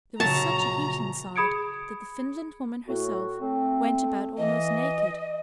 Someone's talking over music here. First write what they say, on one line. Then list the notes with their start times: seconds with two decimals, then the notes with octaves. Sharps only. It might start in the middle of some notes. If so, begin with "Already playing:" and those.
There was such a heat inside that the Finland woman herself went about almost naked.
0.20 A#1 C#3 F#3 A5 A#5
1.36 G#4 B5 D#6 G#6 C#7 D7
2.88 A2 F#4
3.41 A3 C4
4.38 E3 D#5